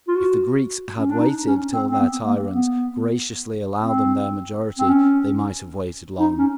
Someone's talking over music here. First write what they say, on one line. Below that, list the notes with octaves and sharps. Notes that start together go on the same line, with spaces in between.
If the Greeks had waited till their tyrants graciously allowed them their majority, they might have waited long.
F4
F#4
C#4
D4
D#4
C#4
C4
C4
B3
A#3
B3
C4
C4
C#4
D#4
C#4